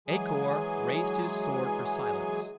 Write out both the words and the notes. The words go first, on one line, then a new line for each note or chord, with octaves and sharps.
A-Kor raised his sword for silence.
E3 F#3 G#3 G#4 G#5